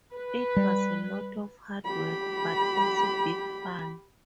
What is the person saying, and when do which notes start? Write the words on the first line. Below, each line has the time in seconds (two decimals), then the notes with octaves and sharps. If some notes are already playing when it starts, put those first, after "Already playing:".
It was a lot of hard work, but also big fun!
0.14 B4
0.57 G3
1.85 G4 B5